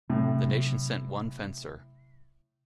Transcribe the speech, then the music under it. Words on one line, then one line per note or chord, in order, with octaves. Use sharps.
The nation sent one fencer.
A2 C3 F#3